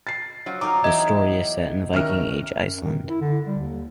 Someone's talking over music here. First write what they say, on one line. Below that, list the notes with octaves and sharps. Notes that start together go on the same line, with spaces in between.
The story is set in Viking Age Iceland.
A6 C7
F3 F#3
D#4 A#4 D6
E2 D#5 E5 G5
D#2 C#4 F#4 A#4 E5 F6
F#2
D#3
E4
D3
G3
D#2